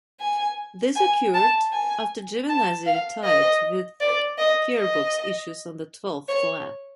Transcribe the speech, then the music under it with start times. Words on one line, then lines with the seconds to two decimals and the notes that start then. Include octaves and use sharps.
This occurred after Giovinazzi retired with gearbox issues on the twelfth lap.
0.20 G#5
0.96 G#5
1.35 A5
1.73 G#5
2.49 A5
2.86 F5
3.24 D#5
4.01 D5
4.38 D#5
4.77 D#5
6.29 C#5